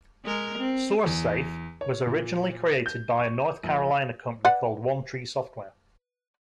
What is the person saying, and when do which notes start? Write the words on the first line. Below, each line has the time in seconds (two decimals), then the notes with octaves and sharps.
SourceSafe was originally created by a North Carolina company called One Tree Software.
0.25 G#3 A#4
0.58 C4
1.06 E2
1.81 C#5
2.07 A#2
2.86 G6
3.18 C#6
3.63 A#1
4.45 B4 D5 F#5